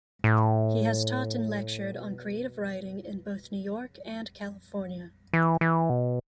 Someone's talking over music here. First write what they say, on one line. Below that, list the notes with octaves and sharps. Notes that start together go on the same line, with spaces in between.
He has taught and lectured on creative writing in both New York and California.
A2
B2
C#3
B2
C#3
E3
E3
B2